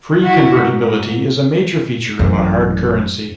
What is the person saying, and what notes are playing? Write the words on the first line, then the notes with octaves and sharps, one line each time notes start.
Free convertibility is a major feature of a hard currency.
E4 F#4
G#2
A1 F#2